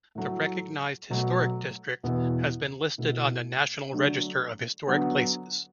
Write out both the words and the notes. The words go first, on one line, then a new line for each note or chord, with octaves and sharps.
The recognized Historic District has been listed on the National Register of Historic Places.
A2 F#3 A3
B2 F#3 A3
E2 B2 B3 E4
B2 A3 E4
D3 F#3 A3 D4
D3 F#3 B3